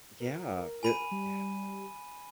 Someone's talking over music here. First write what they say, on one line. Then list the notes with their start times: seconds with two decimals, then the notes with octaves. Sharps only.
Yeah, it yeah,
0.20 A#4
0.83 G#5 B5 D#7
1.11 G3